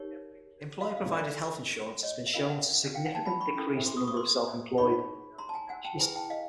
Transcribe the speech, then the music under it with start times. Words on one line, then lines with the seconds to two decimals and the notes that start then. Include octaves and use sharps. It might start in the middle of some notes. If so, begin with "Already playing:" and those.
Employer provided health insurance has been shown to significant decrease the number of self-employed.
Already playing: D#4 G4 A#4 C#5
0.81 D#5 F5
0.97 D#5 F5
1.12 D4 F4 A4 D5 E5
2.03 C#5 D#5
2.27 E5
2.33 C#4 F4 A#4 D#5 F5
2.49 E5 F#5
2.95 F5 G5
3.05 F#5 G#5
3.15 G5 A5
3.25 A5 B5
3.41 B5 C#6
3.55 C#4 E4 A4
3.86 C6 D6
3.97 C#6 D#6
4.07 C#6 D#6
4.16 C6 D6
4.78 D#4 G#4 C#5 B5 C#6
5.38 A#5 C6
5.49 A5
5.54 G#5 A#5
5.69 F#5 G#5
5.85 G5 A5
5.99 E4 G#4 B4 G#5 A#5
6.16 G5 A5
6.30 D#5 F5